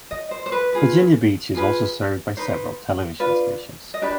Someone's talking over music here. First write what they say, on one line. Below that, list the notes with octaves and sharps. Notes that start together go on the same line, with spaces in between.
Virginia Beach is also served by several television stations.
D#5
C5
C5
B4
F4 G#4 B4
F4 G#4 B4
D#4 B4 C5
D4 F4 B4
D#5
D4 G4 B4 D5